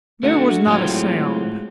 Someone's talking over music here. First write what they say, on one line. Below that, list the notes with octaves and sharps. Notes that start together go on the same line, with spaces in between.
There was not a sound.
A3 D4 F#4
A2 F#3 G#3 C4 F4